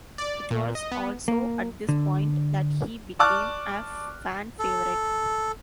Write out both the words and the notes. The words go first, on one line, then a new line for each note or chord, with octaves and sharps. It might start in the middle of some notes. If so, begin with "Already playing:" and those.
It was also at this point that he became a fan favourite.
D5
A#2
D#5
B3
A#3
D3
D5 A5 C#6 D6 F6 F#6
A4